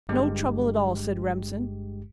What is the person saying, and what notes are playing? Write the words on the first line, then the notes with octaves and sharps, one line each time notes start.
"No trouble at all," said Remsen.
G1 G2 G#3 G4